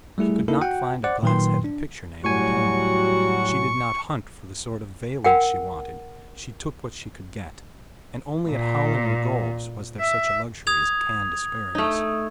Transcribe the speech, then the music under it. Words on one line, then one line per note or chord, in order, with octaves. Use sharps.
She could not find a glass-headed picture-nail in town; she did not hunt for the sort of veiling she wanted--she took what she could get; and only at Howland & Gould's was there such a luxury as canned asparagus.
G3 A3 E4 G#4
A#3 D#4 E4 A4 A#4
F#4 F#5 G5
C5 D5 F#5 D6
A#2 D#3 F#3 B4 G5 C6
D4
A2 F#3 G3 F#4 G#5 C#6
A#4 F#5 G5
A#2
E5
D#6 G#6 F7
A3 D#4